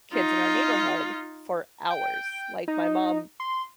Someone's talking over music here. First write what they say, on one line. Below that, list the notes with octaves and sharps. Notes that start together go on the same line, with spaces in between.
kids in our neighborhood for hours, like, my mom
D#4 F4
G5
D#4
C6